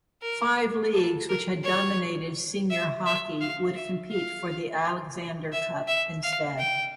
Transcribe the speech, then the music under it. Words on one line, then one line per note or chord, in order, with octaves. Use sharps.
Five leagues which had dominated senior hockey would compete for the Alexander Cup instead.
A#4
A4
A#4
C#5
E5
E5
F5
E5
F5
E5
E5
F5
G5